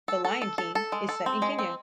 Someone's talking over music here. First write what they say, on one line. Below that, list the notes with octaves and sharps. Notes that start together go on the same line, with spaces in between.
The lion king is set in Kenya.
A4
A4
A4
A4
A4
G#3
A4
C4
G#3
C4